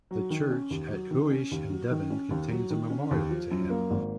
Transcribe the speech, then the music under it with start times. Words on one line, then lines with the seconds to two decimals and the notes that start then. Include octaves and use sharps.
The church at Huish in Devon contains a memorial to him.
0.11 F#3
0.30 D#3
0.51 C#4
0.71 D#2
0.91 F#3
1.11 D#3
1.31 C#4
1.51 D#2
1.70 F#3
1.91 D#3
2.10 C#4
2.30 D#2
2.50 F#3
2.70 D#3
2.90 C#4
3.11 D#2
3.31 F3
3.51 F#2
3.70 A#3
3.91 G#1